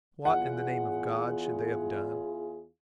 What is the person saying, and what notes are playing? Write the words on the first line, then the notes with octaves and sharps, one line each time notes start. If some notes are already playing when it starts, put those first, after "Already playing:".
What, in the name of God, should they have done?
E2 F4 G#4 F#5